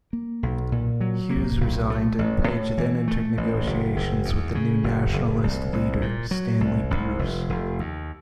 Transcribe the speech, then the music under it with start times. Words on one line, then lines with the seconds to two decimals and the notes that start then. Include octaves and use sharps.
Hughes resigned, and Page then entered negotiations with the new Nationalist leader, Stanley Bruce.
0.13 A#3
0.43 B1
0.72 A#2
1.01 F#3
1.30 A#3
1.61 B1
1.90 A3
2.19 A1
2.48 A2
2.78 E3
3.08 A3
3.37 A1
3.66 F#1
3.96 F#1
4.25 E2
4.55 C#3
4.84 F#1
5.14 F#1
5.44 C2
5.73 C2
6.01 A#2
6.31 F#3
6.61 C2
6.91 C2
7.19 F1
7.50 F1
7.79 D#2